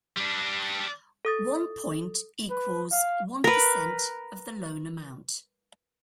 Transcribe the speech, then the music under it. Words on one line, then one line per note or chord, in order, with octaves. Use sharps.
One point equals one percent of the loan amount.
G3 D4
A4 D#6 A6
B4
F5
A#4 B4